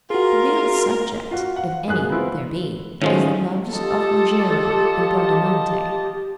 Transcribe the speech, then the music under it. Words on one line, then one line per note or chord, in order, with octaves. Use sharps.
The real subject, if any there be, is the loves of Ruggiero and Bradamante.
F4 F#4 G#4 A#4
F4 F#4
F5 F#5
F#2 G#4 F#6
B3 C4 E4 F4
A2 D#3 F3 G#3 C#4
F4 G4 A4 D#5 A5